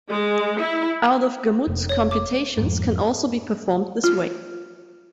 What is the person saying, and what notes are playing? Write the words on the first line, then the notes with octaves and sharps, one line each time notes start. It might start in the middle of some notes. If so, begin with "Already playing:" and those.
Out-of-gamut computations can also be performed this way.
G#3
E4
F1
C#5
D6
F2 G#2
F4